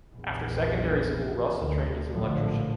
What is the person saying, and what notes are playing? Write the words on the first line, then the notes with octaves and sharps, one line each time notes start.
After secondary school Rossa trained as an electrician.
A#1 E2
D2
A#1 A2 D3 F3